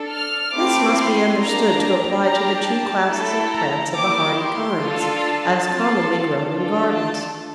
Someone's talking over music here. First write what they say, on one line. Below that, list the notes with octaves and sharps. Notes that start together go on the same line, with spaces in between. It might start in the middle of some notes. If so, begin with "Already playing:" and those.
This must be understood to apply to the two classes of plants of the hardy kinds, as commonly grown in gardens.
Already playing: D4 A4
F6
A3 C4 E4 G4 D6
C6
A#3 D4 G4 A#5
D4 G4 A#5
A5
A3 E4 A4
A#5
A#3 E4 G4 D6
C6
D4 F4 A4
A5
C4 F4 A4
D4 F4 A4
A5